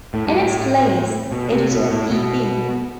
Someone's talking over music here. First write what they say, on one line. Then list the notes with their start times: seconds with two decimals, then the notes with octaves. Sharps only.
In its place, editor E. B.
0.14 A2
0.27 G2
0.40 A2
1.32 B2
1.52 C3
1.71 B2
1.90 A2
2.11 B2